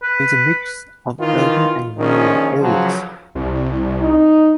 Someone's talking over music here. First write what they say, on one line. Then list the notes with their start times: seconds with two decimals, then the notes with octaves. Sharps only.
There is a mix of urban and rural areas.
0.03 B4
1.19 D#3 E3 F4
1.98 A#1 D#3 C#4
2.60 C#3 F3 F#3
3.35 C2
4.02 D#4